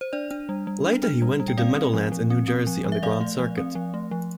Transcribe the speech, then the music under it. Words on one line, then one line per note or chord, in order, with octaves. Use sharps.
Later he went to the Meadowlands in New Jersey on the Grand Circuit.
C5
D4 D5
D4
G3
G3
D4
D4
G3
G3
G5
C4 D5 F5
C4
F3
F3
C4
C4
F3
F3
E5
F3 D5 F5
A3
F3
C4
F3
A3
F3